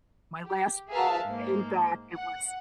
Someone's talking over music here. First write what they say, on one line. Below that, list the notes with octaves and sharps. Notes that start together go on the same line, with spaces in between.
my last bowl came back, it was
G4
G#4 A#4 B4 E5 F5 A5
G#2 A#3 C5
F#5